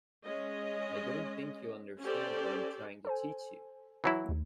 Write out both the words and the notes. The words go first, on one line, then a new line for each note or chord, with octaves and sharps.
I don't think you understand what I'm trying to teach you.
G#3 C#4 D#5
C#4 G4 A4 C5 D5
A4 C5 G#5
E3 F#3 E4
D#2 A3